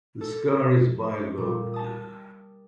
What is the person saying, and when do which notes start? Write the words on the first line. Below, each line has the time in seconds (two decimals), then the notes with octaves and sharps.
The scar is bilobed.
0.21 A4
1.38 A#2 G3
1.74 A5 D#6